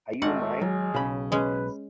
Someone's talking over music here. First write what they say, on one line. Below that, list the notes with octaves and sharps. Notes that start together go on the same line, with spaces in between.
Are You Mine?
G#1 A3 F#5
F#3 G#4
B1 C#3 B5
G#3 C#4 B4